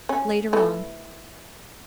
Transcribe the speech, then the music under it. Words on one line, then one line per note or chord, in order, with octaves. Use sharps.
"Later on."
C#4
E3 A3